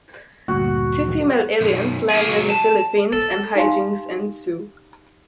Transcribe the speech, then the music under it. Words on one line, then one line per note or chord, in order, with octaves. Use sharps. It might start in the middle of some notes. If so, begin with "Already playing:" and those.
Two female aliens land in the Philippines and hijinks ensue.
D2 G2 A#2 F#4
B1 F#2
A#3 G#4
C#2 F#3
A5
A4
D#4 G4 F5 G#5 C6